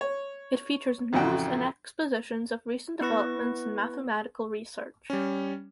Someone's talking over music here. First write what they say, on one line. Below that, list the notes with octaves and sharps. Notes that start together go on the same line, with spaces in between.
It features news and expositions of recent developments in mathematical research.
C#5
A1 F2 C#3 F#4 G5
B3 E4 B4 C#6 A#6
G3 C#4